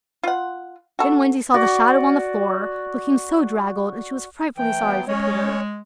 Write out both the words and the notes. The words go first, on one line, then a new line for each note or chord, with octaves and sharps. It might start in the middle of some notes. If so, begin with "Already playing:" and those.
Then Wendy saw the shadow on the floor, looking so draggled, and she was frightfully sorry for Peter.
F4 F#5
F#4 A4
F#4 D5
E3 A3 G5
F#3 B3
G#3 C#4 C#5